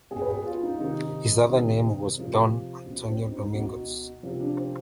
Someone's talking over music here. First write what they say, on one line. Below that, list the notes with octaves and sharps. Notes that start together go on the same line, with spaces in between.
His other name was Don Antonio Domingos.
B2 G#4
B4
G#4
F4
D#4
C3 D#3 D#4
C3 D#3
C3 F3
B2
C4
D#4
B2
C3 F3
D4
C4